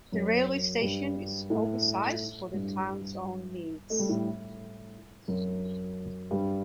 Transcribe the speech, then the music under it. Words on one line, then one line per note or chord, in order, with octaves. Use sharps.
The railway station is oversized for the town's own needs.
F#2 F#3
G2 G3
A2 A3
G2 G3
A3
G3
A2 A3
F#2 F#3
G2 G3